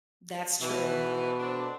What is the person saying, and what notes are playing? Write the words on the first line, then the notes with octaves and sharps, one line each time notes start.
That's true.
G#2 B2 E3
A3 C4 D4